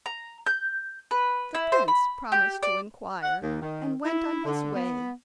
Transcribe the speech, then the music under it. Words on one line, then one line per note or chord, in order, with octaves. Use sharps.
The prince promised to inquire, and went on his way.
A#5
G6
B4
E4
C5
B5
G4
D5
F#5
D#2
D#3
E4
D3
B3